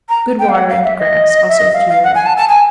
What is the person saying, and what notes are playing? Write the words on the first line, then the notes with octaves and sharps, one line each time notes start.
Good water and grass, also fuel.
A#5
G5
F5
F#5
F5
E5
D#5
E5
D#5
F5
F5
F#5
G#5
A5
A5
G#5